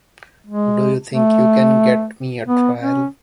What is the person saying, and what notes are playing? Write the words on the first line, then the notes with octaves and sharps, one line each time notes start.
Do you think you can get me a trial?
G#3
A3
B3
C#4